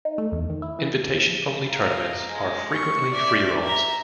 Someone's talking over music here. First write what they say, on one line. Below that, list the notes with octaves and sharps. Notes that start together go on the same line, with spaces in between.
Invitation-only tournaments are frequently freerolls.
D#4
A3
E2
D#3
E4
E3
F4 A#5
G#3
C#6
D5 E5
E5 A#5